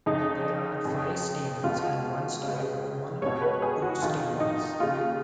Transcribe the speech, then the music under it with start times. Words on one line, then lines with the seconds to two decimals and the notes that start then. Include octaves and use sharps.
There are five stamens and one style with one or two stigmas.
0.06 F2 C#3 D#4
0.85 F2 C#3
1.64 C#2 B2 F4
2.43 C#3
2.48 C#2
3.22 C#2 B2 C#5
3.42 B4
3.62 G#4
3.82 F#4
4.02 F2 D#3 F4
4.40 D#4
4.80 D#2 C#3 F4